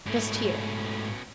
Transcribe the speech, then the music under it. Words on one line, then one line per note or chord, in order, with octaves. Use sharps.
Just here.
G#2 B2 A3 C#4